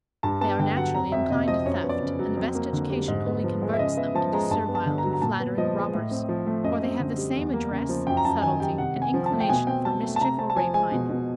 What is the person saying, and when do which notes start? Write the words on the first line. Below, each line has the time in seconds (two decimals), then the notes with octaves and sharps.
They are, naturally, inclined to theft, and the best education only converts them into servile and flattering robbers; for they have the same address, subtlety, and inclination for mischief or rapine.
0.23 G2 A5
0.41 B3 A5
0.59 D3 G5
0.77 F#3 F#5
0.94 F2 A#5
1.12 F2 E5
1.30 C3 D#5
1.48 F3 D#5
1.65 F#2 C#5
1.83 B3
1.89 D5
2.01 C#3
2.19 F#3
2.37 F2
2.55 A#3
2.73 D3
2.90 G3
3.08 G#2
3.26 B3
3.44 F3
3.62 G#3
3.74 E5
3.79 C#3 D#5
3.97 B3 E5
4.15 F3 A5
4.33 G#3 A#5
4.50 G2 A5
4.68 B3
4.75 A5
4.86 D3
4.98 A#5
5.04 F#3
5.13 A#5
5.22 A#2 A5
5.40 B3
5.58 F3 D#5
5.76 G#3
5.94 A2
6.11 C4
6.29 F3
6.46 A3
6.64 F#2 D#5
6.82 C4
7.00 D3
7.18 G3
7.36 E2
7.53 A#3
7.71 C#3
7.89 F3
8.07 F#2 G5
8.17 A#5
8.25 F#2 A5
8.42 D#3 G#5
8.60 G3 G5
8.78 C3 F#5
8.96 C3
9.02 G#5
9.14 F3
9.26 A5
9.32 A3
9.40 G5
9.49 B2 G#5
9.67 C4 G5
9.85 F#3 A5
10.03 A3
10.16 A5
10.21 C3 A#5
10.38 C4 A5
10.50 A5
10.56 F3 G#5
10.74 G#3 G#5
10.92 B2
11.10 B2